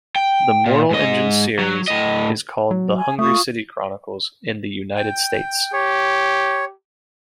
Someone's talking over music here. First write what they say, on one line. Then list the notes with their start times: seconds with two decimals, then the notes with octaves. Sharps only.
The Mortal Engines series is called the "Hungry City Chronicles" in the United States.
0.16 G5
0.66 A#2
0.91 G#2 D#5
1.59 F#3
1.88 A2 D#5
2.71 F#3
2.97 G#5
3.19 A3 F4 C#6 D#6
4.96 G5
5.73 G4 C#5